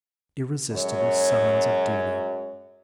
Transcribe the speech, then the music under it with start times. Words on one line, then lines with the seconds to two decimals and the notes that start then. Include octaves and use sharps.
Irresistible summons of duty!
0.71 F#2 F#3 G#3 C#5